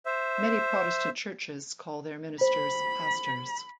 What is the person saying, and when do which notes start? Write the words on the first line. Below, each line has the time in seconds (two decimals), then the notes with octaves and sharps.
Many Protestant churches call their ministers "pastors".
0.06 C5 E5
2.41 C5 B5